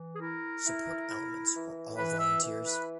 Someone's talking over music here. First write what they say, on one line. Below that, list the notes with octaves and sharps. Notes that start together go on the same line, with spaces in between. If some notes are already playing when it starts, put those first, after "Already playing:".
Support elements were all volunteers.
Already playing: E3
G#4
E4 A#4
E4
E4
E3
E3 B4
E5
E3
B4